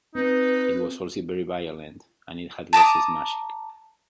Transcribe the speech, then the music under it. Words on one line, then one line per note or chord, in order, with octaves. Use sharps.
It was also very violent and it had lost its magic.
C4 D#4 B4
A5 A#5 D6 D#6